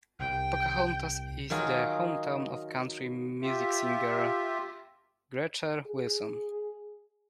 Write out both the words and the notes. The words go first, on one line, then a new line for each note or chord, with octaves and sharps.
Pocahontas is the hometown of country music singer Gretchen Wilson.
C2 G5
D#3 F#3 F4 G#4
F4 G4 E5
G#4